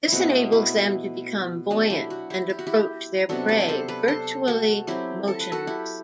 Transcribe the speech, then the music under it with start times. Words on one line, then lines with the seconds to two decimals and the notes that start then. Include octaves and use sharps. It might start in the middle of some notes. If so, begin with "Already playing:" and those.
This enables them to become buoyant and approach their prey virtually motionless.
0.08 B2 A3 C4 E4 F#4
0.52 E4
1.70 F#3 B3 D4 F#4
1.90 E4 G4
2.10 F#4
2.30 E4 G4
2.50 G4
2.59 F#4
2.67 E4 G4
3.29 C3 F#3 B3 D4 F#4 A4
3.49 G4 B4
3.60 D5
3.68 A4 C5
3.88 B4 D5
4.08 A4 C5
4.48 F#4 A4
4.87 F#3 C4 E4 G4
5.28 A4
5.40 B4
5.52 F#4 A4
5.67 E4 G4